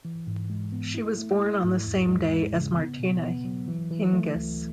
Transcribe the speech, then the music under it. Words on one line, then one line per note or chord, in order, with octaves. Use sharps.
She was born on the same day as Martina Hingis.
E3
G#2
G#3
B3
E4
A3
E4
G#2
E2
G#3
G#3
C#3
B3
B2
B3
F#3
E3
E3
A3
C#2